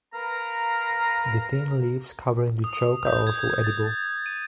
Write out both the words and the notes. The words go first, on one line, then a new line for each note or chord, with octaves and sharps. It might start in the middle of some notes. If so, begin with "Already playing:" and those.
The thin leaves covering the choke are also edible.
A#4 B4 F5 A#5
D#6
G6
G#6
G#6
A6
D#7